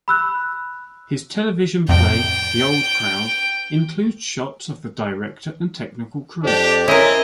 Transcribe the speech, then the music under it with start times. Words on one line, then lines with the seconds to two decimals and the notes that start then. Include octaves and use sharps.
His television play "The Old Crowd" includes shots of the director and technical crew.
0.08 B5 E6 F#6
1.89 F2 A2 C3 G5
6.44 F2 D4 G4
6.88 C4 C#4 E4 A#4 D#5